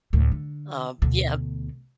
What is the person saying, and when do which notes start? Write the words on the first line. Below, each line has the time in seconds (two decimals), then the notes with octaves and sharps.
Um, yeah
0.13 D2 A2
0.32 D3
1.02 D2 B2